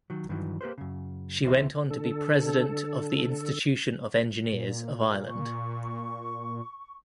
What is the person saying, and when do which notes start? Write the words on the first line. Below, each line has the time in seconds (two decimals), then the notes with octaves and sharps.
She went on to be President of the Institution of Engineers of Ireland.
0.10 D#3 F#3
0.29 G2 D#3 E3 F#3
0.61 A#3 G4 B4 C5
0.78 F#2 C#3
1.43 C#2 C3 E3 C5 E5
1.90 D3 A4
4.52 A#2
5.28 C#6